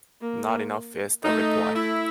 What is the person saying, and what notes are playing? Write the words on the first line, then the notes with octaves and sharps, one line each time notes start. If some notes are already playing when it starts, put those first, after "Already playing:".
Not enough, is the reply.
A#3
A3 D#4
E4